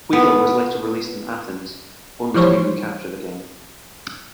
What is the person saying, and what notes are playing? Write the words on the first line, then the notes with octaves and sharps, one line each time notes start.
Wheeler was later released in Athens only to be recaptured again.
B3
E3 F3 G3 C5 C#5